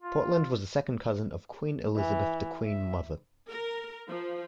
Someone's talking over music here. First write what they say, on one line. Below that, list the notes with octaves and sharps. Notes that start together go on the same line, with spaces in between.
Portland was a second cousin of Queen Elizabeth The Queen Mother.
F4
E3
E5
A#4
F3